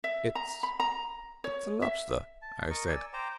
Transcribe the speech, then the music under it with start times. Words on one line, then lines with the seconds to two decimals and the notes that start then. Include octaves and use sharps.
"It's--it's a lobster," I said.
0.04 E5
0.35 A#5
0.63 B5
0.80 A#5
1.44 C#5
1.82 E5
2.42 A5
2.70 A#4 D#5 C#6
2.89 D5 G#5 E6
3.13 C5 G5 A#5 D6